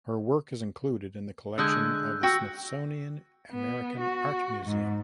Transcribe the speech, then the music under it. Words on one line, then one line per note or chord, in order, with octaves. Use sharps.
Her work is included in the collection of the Smithsonian American Art Museum.
D3 G#3 G#4 E6 F#6 G6
F#4 G5 E6 A#6
B3
F#4
G#2